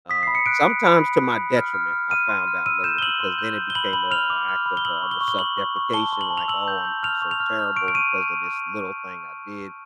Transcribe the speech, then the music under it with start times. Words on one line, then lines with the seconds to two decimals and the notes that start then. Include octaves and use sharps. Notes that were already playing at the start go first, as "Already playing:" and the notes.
uh, sometimes to my detriment, I found out later, because then it became a a act of, uh, almost self-deprecation, like, "Oh, I'm I'm so terrible because of this little thing I did."
0.09 D#6 B6
0.23 B5 C7
0.35 C#7
0.46 F#6 D7
0.65 B5
0.83 B5
1.01 B5
1.20 F#6
1.37 B5
1.56 F6
1.74 F6
1.92 F6
2.10 F6 D#7
2.29 C6
2.48 F6
2.66 E6 D#7
2.84 G6 E7
2.98 G7
3.02 E6 F#7
3.20 C6
3.38 G6
3.56 G6
3.70 G7
3.75 B5 F#7
3.93 B5 F#7
4.11 F6 F7
4.30 D6
4.48 F6
4.66 B5
4.77 G7
4.85 E6 F#7
5.03 C#6
5.11 G7
5.21 C#6
5.28 G7
5.39 C#6 F#7
5.57 C#6
5.76 C#6
5.93 A5 G7
6.13 C6
6.21 F#7
6.30 A5
6.37 F7
6.48 E6 F#7
6.68 G6
6.85 G6
7.03 F6 F7
7.22 C#6
7.31 F7
7.40 F6
7.59 F6
7.76 C#6 D7
7.88 D7
7.94 C#6 D#7